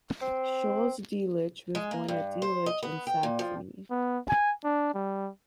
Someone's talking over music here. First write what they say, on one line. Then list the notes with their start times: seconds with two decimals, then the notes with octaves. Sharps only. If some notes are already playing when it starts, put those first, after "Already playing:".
Schulze-Delitzsch was born at Delitzsch, in Saxony.
0.22 C4
1.75 G#3
1.91 A#3
2.08 G2
2.42 C5
2.66 D#5
2.82 B3
3.07 G5
3.23 A#2
3.39 F3
3.90 B3
4.29 G#5
4.64 D4
4.95 G3